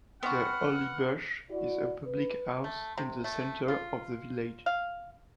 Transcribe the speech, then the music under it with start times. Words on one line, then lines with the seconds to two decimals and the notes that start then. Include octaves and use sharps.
"The Holly Bush" is a public house in the centre of the village.
0.23 B3 C4 F#4 F#5 F6
1.49 E4 F#4 D5
2.05 B4
2.64 A3
2.98 C3
3.24 A3
3.68 F4
4.66 F5